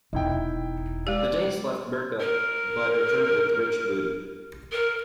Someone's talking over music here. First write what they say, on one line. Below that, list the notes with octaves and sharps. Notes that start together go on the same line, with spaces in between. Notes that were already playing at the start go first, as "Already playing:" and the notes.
The Danes left Birka but returned with rich booty.
E1 D#4 E4 G5
G#3 G4 D5
A#4
A#4